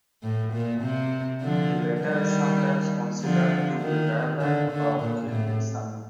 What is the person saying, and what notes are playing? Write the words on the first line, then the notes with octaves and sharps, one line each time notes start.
The latter is sometimes considered to be a dialect of Kildin Sami.
A2
A#2
C3
D3 F3
D#3 G3
D3 F3
D#3
D3
D3
A#2
A2